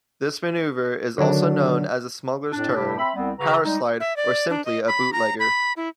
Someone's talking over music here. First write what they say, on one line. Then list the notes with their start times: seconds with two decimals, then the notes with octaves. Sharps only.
This maneuver is also known as a smuggler's turn, powerslide, or simply a bootlegger.
1.18 D3 D#3 F#3 D4 F#4
2.52 F2 A2 D4
2.75 G2 C3 G3 D4 E4 G4
2.97 C4 E5 B5
3.15 C2 G3 B3 C4
3.39 C#3 F#4 B4 A#5
3.64 G3 G#3 D#4
4.00 E5
4.16 D5
4.50 D4
4.65 D#5
4.87 B5
5.13 A#5
5.39 B5
5.77 E4